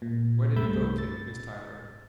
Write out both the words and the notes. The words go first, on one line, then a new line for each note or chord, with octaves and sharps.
"Where did he go to, Miss Tyler?"
A#2
C2 G2 A3 B5 E6 G6
A6